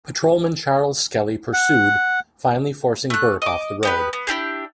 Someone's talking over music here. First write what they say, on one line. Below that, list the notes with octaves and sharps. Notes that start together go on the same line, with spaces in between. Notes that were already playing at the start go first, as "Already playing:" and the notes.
Patrolman Charles Skelly pursued, finally forcing Burke off the road.
F#5
A3 F#6
D#5 D6
B3 G4 B4
B3
D4 E4 G4 G#4